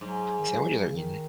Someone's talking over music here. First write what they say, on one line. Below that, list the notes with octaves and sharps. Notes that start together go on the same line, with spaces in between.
Sandwiches are eaten
G#2 F#3
D#3
F#3
C#3
D#3